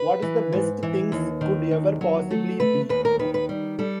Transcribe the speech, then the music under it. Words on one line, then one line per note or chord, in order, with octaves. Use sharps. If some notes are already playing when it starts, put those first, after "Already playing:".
What is the best things could ever possibly be?
Already playing: B4
E3
G#2
E3
D#2
D#3
D#2
F#3
A3 A4
A3 B4
D#2 B4
A#4
D#3 B4
B4
G3
G3 A4